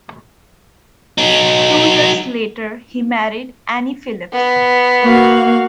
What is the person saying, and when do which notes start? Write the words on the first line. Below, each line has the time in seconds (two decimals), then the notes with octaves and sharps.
Two years later, he married Annie Phillips.
1.18 F#3 D#4
4.32 B3
5.02 A#3 F#4 F5